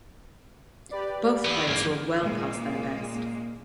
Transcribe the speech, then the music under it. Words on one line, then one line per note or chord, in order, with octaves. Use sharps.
Both players were well past their best.
G4 B4 D5
E3 B3
E2 G#2 A#3
A#2 G#3 A#3